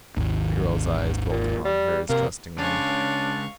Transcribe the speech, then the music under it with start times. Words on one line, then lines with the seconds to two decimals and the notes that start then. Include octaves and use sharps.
The girl's eyes dwelt upon hers trustingly.
0.17 G#1 D#2
1.31 A#2
1.65 G3
2.10 C3 A#3
2.58 C#3 G#3 C#4 D4 F5 C#6